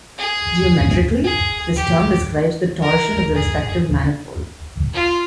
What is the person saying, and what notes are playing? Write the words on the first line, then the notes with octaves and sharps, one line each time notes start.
Geometrically, this term describes the torsion of the respective manifold.
G#4
G#4
G4
A#4
G#4
F4